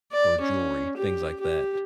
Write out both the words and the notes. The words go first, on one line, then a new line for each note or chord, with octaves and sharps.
or jewelry, things like that. It's
D5
C#4
G4
G4